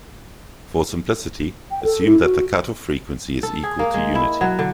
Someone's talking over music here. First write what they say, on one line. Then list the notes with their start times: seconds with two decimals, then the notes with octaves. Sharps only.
For simplicity, assume that the cutoff frequency is equal to unity.
1.71 G5
1.84 A4
2.05 E4
2.22 F#4
3.43 A4
3.63 G#4
3.79 A#3
3.94 G#3
4.15 E4
4.41 F#3
4.59 D3